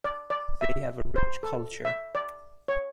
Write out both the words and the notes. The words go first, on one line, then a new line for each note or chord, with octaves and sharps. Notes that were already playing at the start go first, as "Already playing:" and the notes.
They have a rich culture.
D5
D5
E5
C5
A4
E5
D5
C#5